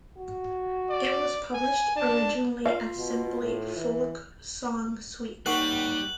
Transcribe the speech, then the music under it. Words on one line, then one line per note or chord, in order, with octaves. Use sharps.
It was published originally as simply Folk Song Suite.
F#4
D5
G#5
D4 A5
F4 F5
B2
A2
E3
D#2 G3 A#4 F#5 C#6 F#6 F#7